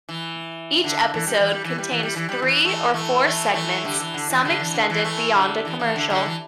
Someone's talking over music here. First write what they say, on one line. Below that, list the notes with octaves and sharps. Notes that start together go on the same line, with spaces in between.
Each episode contains three or four segments, some extended beyond a commercial.
E3
D3
E3
G3
E3
G3
E3
G3
E3
G3
E3
G3
E3
E3 A3
E3 A3
E3 A3
E3 A3
D3 G3
E3
D3
E3
D3 G3
E3
D3
E3
E3 A3
D3 G3
E3
E3
D3
D3 G3
E3